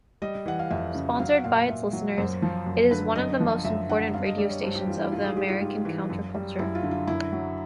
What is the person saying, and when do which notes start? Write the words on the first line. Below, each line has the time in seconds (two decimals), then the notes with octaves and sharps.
Sponsored by its listeners, it is one of the most important radio stations of the American counter-culture.
0.22 G3 D#5
0.46 E3 F#5
0.59 F5
0.70 F2 E5
0.95 C#3
1.19 F#3 F5
1.31 F#5
1.44 A#2 F5
1.56 F5
1.68 A#2 E5
1.93 F#3
2.18 F#2 C5
2.42 F3
2.66 F#2
2.91 D3 B4
3.15 F#2 D#5
3.40 F3
3.65 F#2 E5
3.89 D3 F#5
4.14 G2 F5
4.26 D#5
4.38 G3 D5
4.50 C#5
4.63 G2 C5
4.75 G4
4.87 E3 F4
4.99 E4
5.11 G#2 F4
5.24 G#4
5.36 G3 G4
5.49 F4
5.61 G#2
5.85 E3
6.10 F#2
6.34 G3
6.59 F#2 E4
6.75 F4
6.83 D3
6.91 F4
7.07 F#2 E4
7.33 F#3